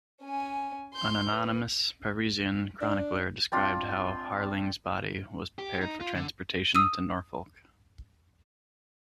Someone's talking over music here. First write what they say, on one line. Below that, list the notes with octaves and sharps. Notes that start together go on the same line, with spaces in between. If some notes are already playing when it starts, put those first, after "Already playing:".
An anonymous Parisian chronicler described how Harling's body was prepared for transportation to Norfolk.
C#4 G#5
C6 G6
B4
D4
C4 D4 F4
G4
D#4
F4
D3
D#6 E6 D#7